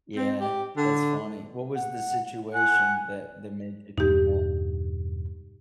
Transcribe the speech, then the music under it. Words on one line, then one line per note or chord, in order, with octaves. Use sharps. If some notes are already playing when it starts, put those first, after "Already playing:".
Yeah, that's funny. What was the situation that that made you think that?
C4
G4
D3
F#5
F#5 G#5
E2 G2 B2 D#4 G4